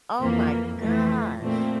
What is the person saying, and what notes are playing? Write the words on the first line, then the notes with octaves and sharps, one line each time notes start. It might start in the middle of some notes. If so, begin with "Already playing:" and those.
Oh my gosh.
F2 E3 A#3
F2 E3 A3
A#2 A3 C4